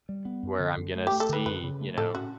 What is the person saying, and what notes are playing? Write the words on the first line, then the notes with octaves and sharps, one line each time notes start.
where I'm gonna see, you know,
G3
B3
F#2
D3
F#2
A3
G4
A3
A4
D3 B4
F#2 B4
C#3
A3
A2 A4
C#4 F#4